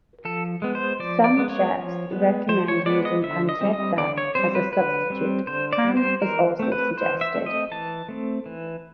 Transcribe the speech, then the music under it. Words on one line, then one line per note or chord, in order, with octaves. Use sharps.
Some chefs recommend using pancetta as a substitute; ham is also suggested.
F3 A4
G#3 B3
C5
F3 D5
D5
G#3 B3
C#5
F3
G#3 B3
F3 C5
C#5
G#3 B3 D5
D#5
D3 E5
D#5
G3 C4
D#5
D3 D5
C#5
G3 C4 C5
B4
D3 B4
G3 C4
D3 C5
D5
G3 C4
C5
E3 A#4
A3 C4
B4
E3 C5
E5
A3 C4
D#5
E3 A5
A3 C4
E3